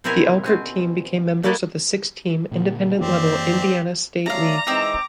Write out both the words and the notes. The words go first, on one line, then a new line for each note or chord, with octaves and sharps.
The Elkhart team became members of the six–team Independent level Indiana State League.
B2 C4 E4 G4 A#4 G#5
B2 C4 C#4
A3 A#3 E4 F#4 D5 D#5
A#2 D3 A#3
F#2 E3 A#3 C4 D4 G4
F#3 A3 D5 E5 F5 A#5
E3 G#3 C4 D#4 D#5 D6 E6